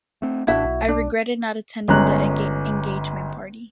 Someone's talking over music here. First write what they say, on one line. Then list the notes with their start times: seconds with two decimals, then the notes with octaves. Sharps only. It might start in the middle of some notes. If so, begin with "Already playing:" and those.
I regretted not attending the engagement party.
0.22 A3 C4
0.47 A1 D4 E4 F#4 E5
0.65 B1
0.88 D4
1.88 G1 G#3 C#4 A#5 F#6